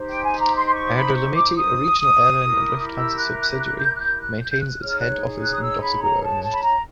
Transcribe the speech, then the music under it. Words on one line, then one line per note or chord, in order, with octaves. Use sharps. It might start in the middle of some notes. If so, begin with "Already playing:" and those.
Air Dolomiti, a regional airline and Lufthansa subsidiary, maintains its head office in Dossobuono.
Already playing: D#4 G4 C5
G5
G#5
A#5
C6
C6
C#6
B5
C#6
D6
D#6
E4 G4 A#4
E6
F#6
F#6
F#6
G6
F#6
G6
F#6
G6
G6
F#6
D#4 G#4 C#5 F6
F#6
F#6
D#6
E6
B5
A#5
A5
A5
B5
A#5